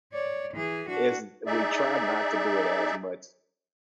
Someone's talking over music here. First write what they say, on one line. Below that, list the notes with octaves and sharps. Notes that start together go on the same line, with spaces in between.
is we tried not to do it as much
C#5 D5
E3 G#4
D4 F#4
D#4 G#4 D5 E5